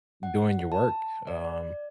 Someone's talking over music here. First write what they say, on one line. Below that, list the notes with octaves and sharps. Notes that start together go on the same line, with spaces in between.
doing your work, um,
F#5
A5
D5